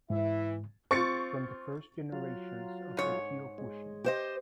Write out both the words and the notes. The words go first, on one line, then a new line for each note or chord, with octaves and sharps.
From the first generations of the Kyokushin.
G#2 E3 E4 E5
C4 F4 C#6 A6 C#7
F#3 F4
G#2 C#5
G#3
G4 C5 D#5